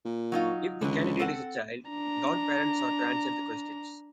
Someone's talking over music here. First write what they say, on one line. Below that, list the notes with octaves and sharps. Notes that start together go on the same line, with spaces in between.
If the candidate is a child, the godparents are to answer the questions.
A#2
F#3 D#4 F4
C#2 D3 E3
C4 A4 F#5
D4 A#5